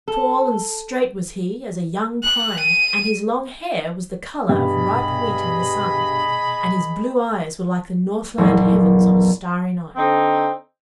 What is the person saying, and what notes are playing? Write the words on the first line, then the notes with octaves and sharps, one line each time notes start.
Tall and straight was he as a young pine, and his long hair was the colour of ripe wheat in the sun; and his blue eyes were like the northland heavens on a starry night.
A4
F#6
D#7
G2 B2 G#4 D#5 B5
F#1 B1 E2 A#2
D3 C4 D#4